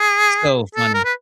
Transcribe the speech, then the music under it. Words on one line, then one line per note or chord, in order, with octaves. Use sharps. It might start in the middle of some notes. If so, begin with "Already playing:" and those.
So funny.
Already playing: G#4
A4
A#4
B4